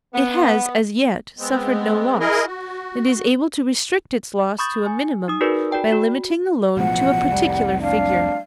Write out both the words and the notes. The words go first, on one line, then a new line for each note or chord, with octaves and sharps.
It has as yet suffered no loss and is able to restrict its loss to a minimum by limiting the loan to a particular figure.
B3
G#3 B3 C4
E4 G#4 A#4 D#5
F#4
B5 C#6 D#6 G6 A6
G#5
D#4 D#6
D#4 F#4 G#4 A#4 B4 D5
F#4 D5 G5 A5
F#4
A1 B2 F3 F#5
F1 C2 G3
D4 F5